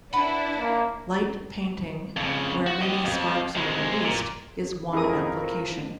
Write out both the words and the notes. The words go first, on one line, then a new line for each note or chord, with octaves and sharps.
Light painting, where many sparks are released, is one application.
D4 E4 B4 F#5
A#3
F2 C#3
F#4
G4 D#5
F2
C3 G#3
A#2
F2 F3 D#4 E4 G#4 A#4 D#6